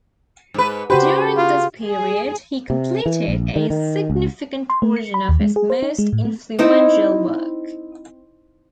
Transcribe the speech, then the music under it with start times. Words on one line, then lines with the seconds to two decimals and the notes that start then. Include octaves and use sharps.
During this period, he completed a significant portion of his most influential work.
0.54 G#2 B4
0.90 C#3 F#4 G4 B4 C5
1.37 F4
1.83 G#4
2.70 C3
3.06 E3
3.28 A#1
3.56 D#3
3.70 D#3
4.10 C#2
4.70 C6
4.82 A3
4.97 C#7
5.14 B5
5.29 D#2
5.41 G#3
5.56 G#4
5.70 C5
5.83 D#4
5.99 G#3
6.13 A2
6.25 A3
6.59 C4 D#4 E4